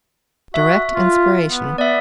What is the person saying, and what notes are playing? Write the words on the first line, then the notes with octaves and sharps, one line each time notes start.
"Direct inspiration."
F#4 E5
F4
B3
B3 D5 E5